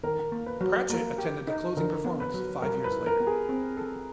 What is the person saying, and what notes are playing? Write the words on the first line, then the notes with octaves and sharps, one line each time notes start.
Pratchett attended the closing performance five years later.
D#3 A#4
A#3
B4
F#3
A#3 A#4
G4
D#4
D3 A#4
B3
B4
F#3
G3 A#4
B4
E4
A#4
B3
G#4
C4
A4